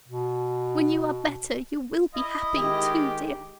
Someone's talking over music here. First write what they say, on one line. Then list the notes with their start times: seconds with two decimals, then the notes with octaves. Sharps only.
When you are better, you will be happy, too, dear.
0.08 B2
2.15 E4 D#5
2.56 D#3 G#3 G4